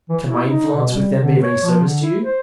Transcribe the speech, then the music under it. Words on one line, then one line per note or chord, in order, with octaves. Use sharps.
"Can my influence with them be of any service to you?"
E3
E4
D#4
B2
G3
D3
C#5
F3
D3
E4
C5